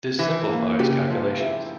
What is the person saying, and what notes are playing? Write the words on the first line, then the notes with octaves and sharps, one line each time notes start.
This simplifies calculations.
E3 E4
A#3
C#3 G4
F3
E4